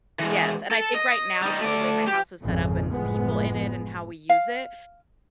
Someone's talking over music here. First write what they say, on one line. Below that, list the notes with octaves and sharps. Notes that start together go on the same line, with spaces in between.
Yes, and I think right now, just the way my house is set up and the people in it and how we use it,
E3 G#3
A4
D#5
G3 D#4
A3 D5
G4
G#1 F2 A#2 C#3
F#1 A2 F3 G#3 B3
F5